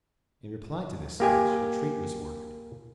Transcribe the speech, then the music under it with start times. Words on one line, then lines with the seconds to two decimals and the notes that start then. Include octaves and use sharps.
In reply to this speech a treat was ordered.
1.20 A#3 G4 G#5